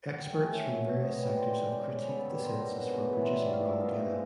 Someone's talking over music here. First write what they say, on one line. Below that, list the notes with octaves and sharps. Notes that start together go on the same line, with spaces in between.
Experts from various sectors have critiqued the census for producing wrong data.
F#5
G5
A3 F#5 G#5
F#2
F#3
F#3
B3 C#5 D#5
G3
G#2 C5 D5
G#3
C#3
C#3
B3 A4 B4
G2
F#3 A#4 C5
B2
G#2
A3
E3 B4 C#5
C5 D5
G2
F#5
A3 F5
A#2 E5
B3 D#5 F5
G#2